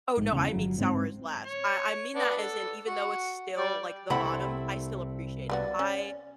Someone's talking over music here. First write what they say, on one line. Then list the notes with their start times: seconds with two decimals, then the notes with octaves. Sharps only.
Oh, no, I mean sour is last; I I mean that as in even though it's still, like, the bottom, I still appreciate it, I
0.17 A#1 G#2
0.32 E2 C#3
0.53 G1 F#3
0.78 G#2 F3 C4
1.45 C#5
2.15 B3 D4 B4
2.38 A4
2.87 F#4
3.57 G3 D5
4.10 C2 D3 A3 C4 E4 C5 F#5 B5
5.50 G3 B3 F#4 D5
5.79 C#4